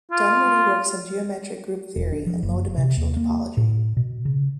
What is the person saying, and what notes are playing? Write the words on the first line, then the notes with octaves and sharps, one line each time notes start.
Dunwoody works on geometric group theory and low-dimensional topology.
F4
E1
D4
F3
F#1
C3
D#2
A#3
A2
B2
C#3